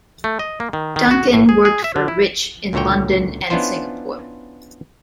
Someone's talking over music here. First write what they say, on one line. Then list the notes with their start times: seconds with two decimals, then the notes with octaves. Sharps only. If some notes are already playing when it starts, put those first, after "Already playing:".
Duncan worked for Rich in London and Singapore.
0.24 A3
0.39 D#5
0.60 A#3
0.73 D#3
0.96 D#3
1.11 F#4
1.33 A2
1.49 G#4
1.65 G#4
1.84 E5
1.96 D3
2.08 E4
2.73 C#2 A#2 D3 F#4 C#5 G5
3.50 B3 C#4 D4 E4 F4 C5